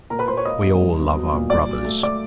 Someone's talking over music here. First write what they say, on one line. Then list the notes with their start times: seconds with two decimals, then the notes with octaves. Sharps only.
"We all love our brothers."
0.10 A#2 A#4 A#5
0.19 B4 B5
0.28 A#2 C5 C6
0.37 C#5 C#6
0.45 A#3 D#5 D#6
0.63 E2
0.81 G2
0.99 B3
1.16 F#3
1.34 A#2
1.50 G2 D5 D6
1.67 F#3
1.85 A3
2.03 A3 D5 D6